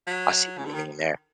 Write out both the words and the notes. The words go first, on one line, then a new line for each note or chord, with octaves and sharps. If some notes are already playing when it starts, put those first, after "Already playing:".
I see what you mean there.
F#3
C#3
D3
D#3